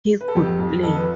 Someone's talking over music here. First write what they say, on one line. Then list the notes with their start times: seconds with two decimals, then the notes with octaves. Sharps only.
He could play.
0.21 B4
0.28 A4
0.35 F2 G4
0.59 F2
0.83 F2 A4
0.96 B4